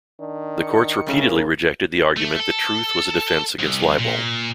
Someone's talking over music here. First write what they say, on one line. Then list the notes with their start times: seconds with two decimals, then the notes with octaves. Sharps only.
The courts repeatedly rejected the argument that truth was a defense against libel.
0.20 D#3 D4
0.63 C#7
1.07 C#3 G3 A3 C#4 A#4
2.17 A3
2.40 A4
3.59 C2
3.99 A#2